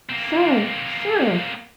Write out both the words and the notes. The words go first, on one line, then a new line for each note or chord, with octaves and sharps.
"Sir! sir!"
A#3 C4